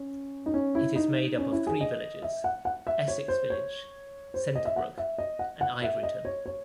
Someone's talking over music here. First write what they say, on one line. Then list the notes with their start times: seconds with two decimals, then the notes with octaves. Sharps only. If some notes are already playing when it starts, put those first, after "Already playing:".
It is made up of three villages: Essex Village, Centerbrook, and Ivoryton.
Already playing: C#4
0.46 D#4
0.54 C#4
0.75 E4
0.95 D#4
1.38 C#4
1.52 E4
1.67 G#4
1.81 D#5
2.22 E5
2.44 F#5
2.65 F#5
2.87 E5
3.08 C#5
3.28 C5
3.50 C#5
4.34 C5
4.55 D#5
4.65 E5
4.76 F#5
4.98 E5
5.18 D#5
5.39 F#5
5.61 F#5
5.82 E5
6.03 D#5
6.25 C#5
6.46 C#5